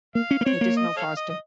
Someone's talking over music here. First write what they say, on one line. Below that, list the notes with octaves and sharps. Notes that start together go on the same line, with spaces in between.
It is now faster.
A#3 F5
C#4
A#3
C4 C#5
A#3
D#5
A4 C#5 F5
D#5
D#5